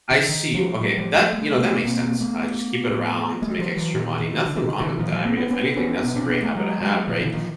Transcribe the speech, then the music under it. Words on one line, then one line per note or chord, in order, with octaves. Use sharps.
I see, you Okay. That You know, that makes sense, uh, just keep it around to make extra money. Nothing wrong with that, I mean, if anything, that's a great habit to have, right?
D3
D#3
F3 G3
A2 F#3 G#3
F3 G3
F3 G3
G3 A3
A3 B3
B2 A#3 C4
A#3 C4
A3 B3
A2
G3 A3
F3 G3
E3 F#3
A#2 D#3
D#3
D3
E3
D#3
D3 E3
A#2 D#3 F3
F3 G3
A#3 C4
B3 C#4
B3 C#4
B3 C#4
B2 B3 C#4
C4 D4
B3 C#4
A3 B3
F#3 G#3
F#3 G#3
A#2 D#3 F3
D3 E3
D#3 F3